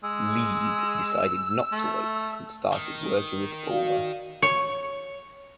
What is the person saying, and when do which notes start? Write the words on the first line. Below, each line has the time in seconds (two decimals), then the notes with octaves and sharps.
Leeb decided not to wait and started working with Fulber.
0.03 G#3 E6
1.72 A3
2.72 D#3
3.70 F#4 D5 F5
4.42 C#5